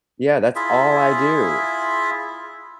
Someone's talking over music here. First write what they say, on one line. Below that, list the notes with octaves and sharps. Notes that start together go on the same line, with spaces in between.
Yeah. That's all I do.
E4 F4 G#4 E5